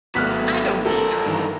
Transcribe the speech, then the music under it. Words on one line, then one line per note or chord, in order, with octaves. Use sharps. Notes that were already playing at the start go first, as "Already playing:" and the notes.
I don't either.
G#1 F#3 A3 B3 F6 F#6 B6
B1 A4 A#4
G2 D#3 E3